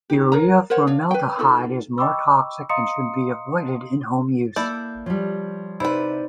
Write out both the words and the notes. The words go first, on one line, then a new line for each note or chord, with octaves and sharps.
Urea-formaldehyde is more toxic and should be avoided in home use.
D#4 G4
A#4 C#5 A#5
A#4 C5 C#5 F#5
D4 C#5 F5
B4 G5
D#4 F4 A4
D#5 G5 B5 C#6 D6 E6
D#5 F5 A#5 C6 D#6 C#7
A#3 E4 A4 D5 G6
F3 G3 C#5
C3 D#4 E4 B4 C5 D5